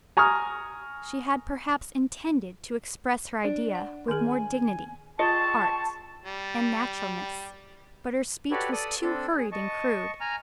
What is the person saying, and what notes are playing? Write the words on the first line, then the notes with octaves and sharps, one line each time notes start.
She had perhaps intended to express her idea with more dignity, art and naturalness, but her speech was too hurried and crude.
G#5 A#5 C#6 D#6 F6
D4
F#5
D#3 G#4 G#5
F4 G#4 D#5 G5 A5 C6 C#6
G3
F#4 G4 A4 B4 C#5 D5
A4 D5 D#6
C4 D4 A4
G#4
D#5 A5 C#6
G#5 A#5 F6